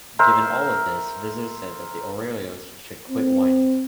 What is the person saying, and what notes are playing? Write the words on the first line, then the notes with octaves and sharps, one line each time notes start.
Given all of this, Rizzo said that the Orioles should quit whining.
A#4 C5 E5
C4